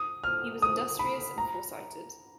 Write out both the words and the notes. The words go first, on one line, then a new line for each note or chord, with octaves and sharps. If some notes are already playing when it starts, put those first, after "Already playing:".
He was industrious and foresighted.
Already playing: D#6
F6
D#6
B5
A#5